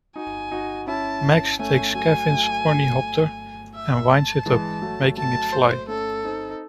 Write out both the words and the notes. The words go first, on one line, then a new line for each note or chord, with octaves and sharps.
Max takes Kevin's ornithopter and winds it up, making it fly.
D#4 F#4 G#5
D#4 F#4
C#4 E4 A5
A3 C#4 G#5
F#3 A3 G#5
F#3 A3
E5
A5
E3 G#3
F#3 A3
F#3 A3 A5
C5
A3 C#4 A4
C4 D#4
D#4